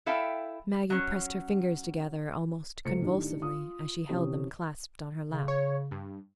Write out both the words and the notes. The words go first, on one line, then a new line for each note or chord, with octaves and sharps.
Maggie pressed her fingers together almost convulsively as she held them clasped on her lap.
E4 A4 E5 F5 G5
F#3 C#4
C#2 A3 C5 C#7
A2 D#3 D4 G4
F4 D#6
C3 E3 C#4 G4
C#3
C#5
G2